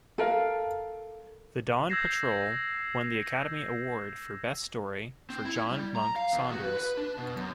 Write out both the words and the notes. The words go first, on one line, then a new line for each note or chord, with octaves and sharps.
"The Dawn Patrol" won the Academy Award for Best Story for John Monk Saunders.
A4 A#4 F5
E6 G6 G#6 A#6 C7 E7
C4
E4
G3
A#5
F5
E2
F#4
B4
B4
D4
B2
F#2